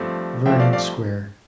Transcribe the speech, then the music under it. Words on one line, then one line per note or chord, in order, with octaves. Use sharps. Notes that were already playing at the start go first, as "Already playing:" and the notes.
Vernon Square.
Already playing: G2 F3 A3 C4
G2 F3 A3 C4 E5 G5
D5 F5
D5 F5